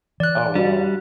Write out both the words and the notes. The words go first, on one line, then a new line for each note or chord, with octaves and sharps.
Oh, wow.
E3 D5 F#6
G3 D4 F#4